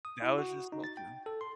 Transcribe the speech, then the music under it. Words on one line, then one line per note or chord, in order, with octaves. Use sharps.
That was just culture.
D#6
E4
F#4
D#4
A6
G5
A4
C6